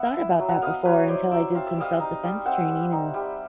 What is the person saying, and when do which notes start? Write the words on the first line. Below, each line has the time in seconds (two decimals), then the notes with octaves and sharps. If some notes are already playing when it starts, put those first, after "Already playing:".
thought about that before, until I did some self-defense training and
Already playing: B3 E5 F#5
0.17 E4
0.39 F#3
0.49 F#5
0.62 B3 D#5 F5
0.85 F#3 B4 C#5
1.08 E4 C5 D5
1.31 F#3 D5 E5
1.55 C4 F5
1.67 E5
1.77 G3 D#5 F5
2.00 D#4
2.23 G3
2.45 C4 E5 F#5
2.68 G3
2.92 D#4
3.14 G3